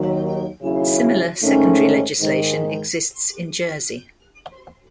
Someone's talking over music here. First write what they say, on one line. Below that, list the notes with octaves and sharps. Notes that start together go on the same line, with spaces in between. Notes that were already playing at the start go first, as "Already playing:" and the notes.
Similar secondary legislation exists in Jersey.
Already playing: D#2 D#3 F#3
D#2 C#3 F#3 C#4 E4
G#2 D#3 A3 C#4
G#2 D#3 G#3